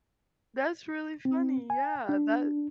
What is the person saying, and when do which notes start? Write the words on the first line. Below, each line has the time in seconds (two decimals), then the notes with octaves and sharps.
That's really funny, yeah, that
1.25 C4
1.70 G#5
2.09 D4